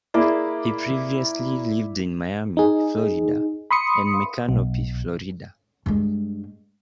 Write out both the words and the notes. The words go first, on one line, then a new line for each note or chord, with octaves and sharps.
He previously lived in Miami, Florida and Micanopy, Florida.
A#3 E4 G#4 D5
D#4 G#4
B5 C6 D#6 C#7
B1
G2 G#3